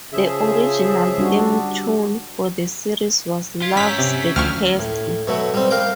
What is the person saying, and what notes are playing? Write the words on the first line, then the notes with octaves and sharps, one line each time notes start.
The original theme tune for the series was Love's "The Castle".
C#3 F3 G#4 E5
G3 D4 F#4
F4 G#6 B6 D7
C#4 A#5 E6 G6 B6
C3
D2 F3 G5 C#6 F6
A2
B2 F#3 A3
G3 C4
A#4 F5 G5 D6